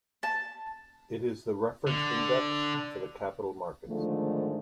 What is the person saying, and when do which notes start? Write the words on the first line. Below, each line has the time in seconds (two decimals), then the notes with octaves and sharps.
It is the reference index for the capital markets.
0.23 A5
1.87 D3
3.87 G#2 D3 D#3 F3 A3